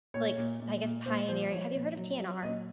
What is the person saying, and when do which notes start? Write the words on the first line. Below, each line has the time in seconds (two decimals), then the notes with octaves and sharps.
like, I guess, pioneering Have you heard of TNR?
0.14 A#2 C#5
0.37 A#2
0.60 A#2
0.83 A#2
1.06 A#2 C5
1.28 F3 C5
1.51 F3 C#5
1.74 A#2
1.97 F#3
2.20 F#3
2.42 A#2 D#5